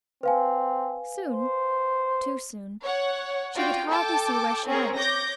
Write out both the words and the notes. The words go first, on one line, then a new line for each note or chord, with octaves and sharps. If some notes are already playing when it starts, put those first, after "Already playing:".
Soon, too soon, she could hardly see where she went.
C4 B4 F5 G#5
C5
C#5 F#5
F4 F#4 D5 G5
A4 G5 A5 D6
C4 C#4 G#4 A#4 C#5
C#5 D6 G6 A#6